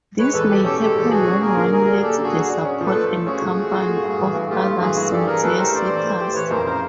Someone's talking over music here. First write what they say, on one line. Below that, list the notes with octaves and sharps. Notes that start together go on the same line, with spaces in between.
This may happen when one lacks the support and company of other sincere seekers.
G#3 B4 C#5
E2 A4 B4
B2 G4 A4
C#4 G4 A4
G#3 G4 A4
E2
B2 F#4 G#4
C#4
A#3 G#4 A#4
D3
F#3 G#4 A#4
D4
A#3 G4 A4
D3
F#4 G#4
F#3
F#4 G#4
D4
C#4
F3
A4 B4
A3
F4
C#4 F#4 G#4
F3
A3
F4
A3
G2
E3
G2
A3 F4 G4
G2
E3 F#4 G#4
G2
D4 G4 A4
E3 G#4 A#4
A3 A4 B4
G4 A#4 C5
D4 C5 D5
E3
A3
G4
E3 B4 C#5
F2 A#4 C5
C#3 A#4 C5